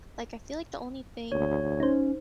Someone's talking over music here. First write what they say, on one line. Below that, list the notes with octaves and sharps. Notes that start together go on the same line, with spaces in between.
Like I feel like the only thing
D2 C#5
C#4 D#4 C5